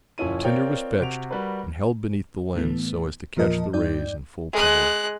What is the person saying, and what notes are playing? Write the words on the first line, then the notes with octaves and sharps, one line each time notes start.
The tinder was fetched, and held beneath the lens so as to catch the rays in full power.
F#1 A#2 F3 C#4 E4 D#7
C4 F4 A#4 C#5 D5 G5
C3 F#4 D7 F7
G3 F#4 A#4 B4
A2 E3 A3 B3
E2 A#2 F3 A#4 D#5 A5
G2 D#4 D5 G6
G#3 F#6